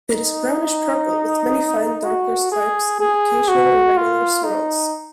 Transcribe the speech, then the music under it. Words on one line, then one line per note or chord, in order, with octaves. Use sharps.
It is brownish-purple with many fine darker stripes and occasional irregular swirls.
D#4
F#4
G#4
G#4
F#4
F4
D#4